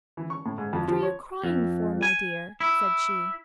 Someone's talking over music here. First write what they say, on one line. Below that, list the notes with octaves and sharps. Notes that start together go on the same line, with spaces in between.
'What are you crying for, my dear?' said she.
E3
C#6
A2
G#2
F2
F3
C#5
F2
G#5
E4